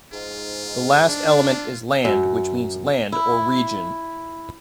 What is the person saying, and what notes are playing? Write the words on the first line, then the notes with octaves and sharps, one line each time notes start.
The last element is "land" which means "land" or "region".
G#2 F4
D4
F#2
E4